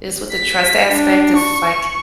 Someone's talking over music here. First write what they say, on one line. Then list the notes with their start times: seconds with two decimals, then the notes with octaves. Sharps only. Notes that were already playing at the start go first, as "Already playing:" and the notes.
it's with the trust aspect, it's like
0.32 B6
0.91 D4
1.37 C#6